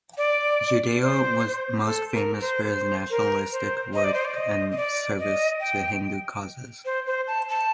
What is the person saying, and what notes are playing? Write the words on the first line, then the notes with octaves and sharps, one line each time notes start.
Judeo was most famous for his nationalistic work and service to Hindu causes.
D5
C5
A4
A#4
C5
C5
A#4
C5
D#5
D5
C5
D5
D#5
D#5
D5
D#5
G5
C5
C5
A5
A5